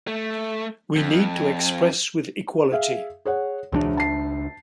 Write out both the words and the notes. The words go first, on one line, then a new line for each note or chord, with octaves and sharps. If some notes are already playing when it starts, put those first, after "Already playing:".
We need to express with equality.
A3
F2
G#4 E5 F5
G#4 C#5 F#5
E1 C#2 G3 D4
A5 C7